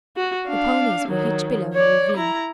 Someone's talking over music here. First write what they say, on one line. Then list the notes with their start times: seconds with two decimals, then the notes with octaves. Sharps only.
The ponies were hitched below in the ravine.
0.17 F#4
0.48 D4 F5
1.09 D#3 F#3
1.74 C#5 D5
2.17 E4 A#5